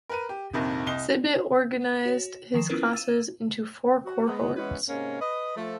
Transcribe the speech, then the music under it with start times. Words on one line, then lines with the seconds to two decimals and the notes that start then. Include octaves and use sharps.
Seibt organised his classes into four cohorts.
0.09 A#4 B4 D#7
0.29 G4
0.53 A#1 F2 C3 D#3
0.87 C2 D#5 G7
2.05 F#4 C#5
2.54 D#3 F3 C7 E7
2.69 B3 C#4 E4 F4 A#4 B4
2.93 E6 A6 D#7 E7
4.04 F#4
4.26 G#3 B3
4.56 E3 G#3 B3 C#4 B4
4.88 G#2 C3 A#3 C#4
5.20 B4 D#5
5.56 F3 A3